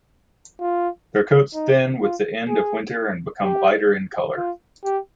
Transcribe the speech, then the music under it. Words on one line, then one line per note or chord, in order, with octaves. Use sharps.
Their coats thin with the end of winter and becomes lighter in color.
F4
D#4
F4
G#4
G4
F4
G4